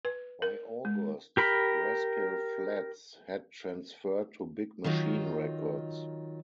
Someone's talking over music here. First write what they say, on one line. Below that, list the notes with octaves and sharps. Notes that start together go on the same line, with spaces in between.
By August, Rascal Flatts had transferred to Big Machine Records.
B4
A#4
G#3
G4 A#4 B5
D#3 F#3 D#4 F4